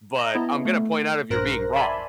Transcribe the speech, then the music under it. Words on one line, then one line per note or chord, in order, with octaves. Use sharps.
but I'm gonna point out if you're being wrong,"
D#5 A#5
B3 E4 A5
A3
A#1 G2 A#4 C5 F#6 A#6
D5 E5 G#5 A5 B5 C6